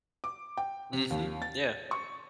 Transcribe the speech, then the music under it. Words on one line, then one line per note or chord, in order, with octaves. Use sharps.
Mhm. Yeah.
D6
G5
C3
D#2
A6
C#6